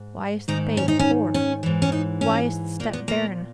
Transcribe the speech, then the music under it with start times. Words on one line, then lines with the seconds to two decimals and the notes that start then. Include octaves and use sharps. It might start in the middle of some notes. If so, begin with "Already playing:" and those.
Why is the babe poor? Why is the steppe barren?
Already playing: G#2
0.48 G#2 D#3 D#4
0.77 C#4
0.88 D#4
0.99 C#4
1.34 C#4
1.63 G#2 E3
1.82 C#4
1.92 D#4
2.21 C#4
2.80 A#2 A#3
2.93 B3
3.08 A#3